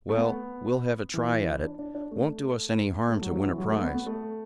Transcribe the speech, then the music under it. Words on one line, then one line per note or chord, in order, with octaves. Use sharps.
Well, we'll have a try at it. Won't do us any harm to win a prize.
A3
B3
E3
D4
D4
D4
A3
A3
F#3
F#3
E3
F#3
A3
B3
B3
A3